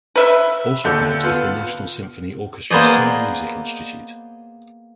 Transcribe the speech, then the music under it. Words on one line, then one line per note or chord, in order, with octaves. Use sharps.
Also of note is the National Symphony Orchestra Summer Music Institute.
B4 E5
D#2 D3 G6
B3 F4
A#3 B3 G#4 C5 D5 D#5